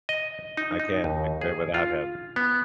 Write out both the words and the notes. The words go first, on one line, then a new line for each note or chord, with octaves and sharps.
I can't picture it without him.
D#5
D#4
D#4
D#2
G#4
F4
B3